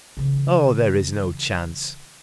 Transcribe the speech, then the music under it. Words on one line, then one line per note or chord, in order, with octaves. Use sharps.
Oh, there is no chance.
C#3 E3